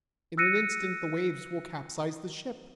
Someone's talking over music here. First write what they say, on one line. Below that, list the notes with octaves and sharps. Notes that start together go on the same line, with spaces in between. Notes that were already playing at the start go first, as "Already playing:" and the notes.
In an instant the waves will capsize the ship!
E6 F#6 A#6 C#7 D#7